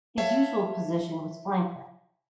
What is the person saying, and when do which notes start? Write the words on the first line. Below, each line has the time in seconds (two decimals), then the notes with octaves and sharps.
His usual position was flanker.
0.18 C#5 E5 F5 A5